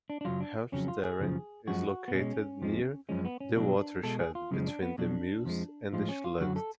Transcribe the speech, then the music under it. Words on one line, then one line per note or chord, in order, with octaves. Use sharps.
Helchteren is located near the watershed between the Meuse and the Scheldt.
D4
D4
F#2 C#3 F#3 F4
D4
F2 C#3 F#3 C#4
F4
G#4
F#2 C#3 F3
F#2 F3 G#3 F#4
B3
B2 G#3 C#4
F2 F3 G#3
F#2 F3 G#3 C#4
B3
C#4
B2 F#3 D4
B2 G#3 A4
G#4
F4
F#2 C#3 F3 G#3
D4
B3
B2 F#3 D4
F2 F3 G#3
A2 F3 G#3 F4
C#4
F4
F#2 D3 F#3 F#4
A4